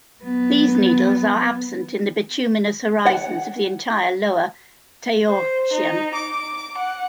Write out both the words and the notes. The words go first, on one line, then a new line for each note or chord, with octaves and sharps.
These needles are absent in the bituminous horizons of the entire Lower Toarcian.
F#3 B3
F#5
C5
D#4
D6
F#5